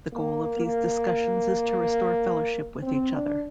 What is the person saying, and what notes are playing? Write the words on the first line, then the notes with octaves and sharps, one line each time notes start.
The goal of these discussions is to restore fellowship with each other.
A#3
A#3
C4
D4